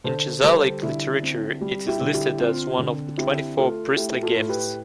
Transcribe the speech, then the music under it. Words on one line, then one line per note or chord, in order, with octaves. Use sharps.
In Chazalic literature it is listed as one of the twenty-four priestly gifts.
D3 A4 C5
G3 A4 C5
D3 E4
C4
G3
E4 G4
D3
E4 G4
C4 F4
D3
C4 E4 G4
A3 F4 A4
A3 E4 G4
F4 A4
A2
G4 B4